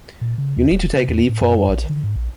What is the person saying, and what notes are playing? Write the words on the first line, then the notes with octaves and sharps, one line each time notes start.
You need to take a leap forward.
A#2
C#3
D#2
D#1
C3
E2
A2
F#2
A#1
D3
G#2
A#1